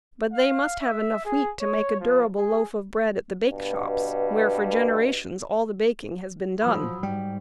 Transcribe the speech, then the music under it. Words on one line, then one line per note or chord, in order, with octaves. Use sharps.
But they must have enough wheat to make a durable loaf of bread at the bakeshops, where for generations all the baking has been done.
F5
E5
G#4
C#5
F3
G#4
G2 B2
F3 F#3 B5 D#6 E6
G#2 G3 G5